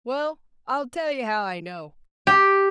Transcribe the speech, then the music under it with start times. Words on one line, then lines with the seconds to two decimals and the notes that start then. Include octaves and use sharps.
Well I'll tell you how I know!
2.27 G4